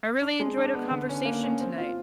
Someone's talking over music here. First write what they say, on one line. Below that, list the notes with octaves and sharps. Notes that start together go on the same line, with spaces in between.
I really enjoyed our conversation tonight.
D4
G#3
D4
B3
D3
C#4
A#3
C#4
C4
F4